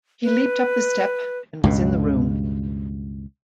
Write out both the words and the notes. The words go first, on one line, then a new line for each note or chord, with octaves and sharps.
He leaped up the step and was in the room.
B4
C#2 G2 B2